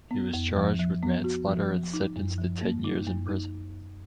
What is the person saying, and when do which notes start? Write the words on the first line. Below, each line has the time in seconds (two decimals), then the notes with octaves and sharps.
He was charged with manslaughter and sentenced to ten years in prison.
0.11 B3
0.34 F2
0.57 F3
0.79 F3
1.03 B3
1.24 F#4
1.48 F3
1.71 F3
1.94 D#4
2.16 F#2
2.38 F3
2.61 A#3
2.84 D#4
3.07 F#2
3.29 D#4